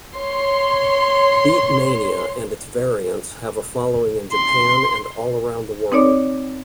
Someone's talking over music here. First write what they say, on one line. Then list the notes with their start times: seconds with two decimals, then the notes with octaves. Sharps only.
"Beatmania" and its variants have a following in Japan and all around the world.
0.15 C#5 C6
4.33 C6
5.92 C4 D#4 C#5 D5 D6